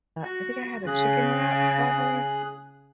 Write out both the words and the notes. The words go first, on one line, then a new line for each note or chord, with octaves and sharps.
I think I had a chicken wrap, probably?
F#4
C#3 G#4 F#6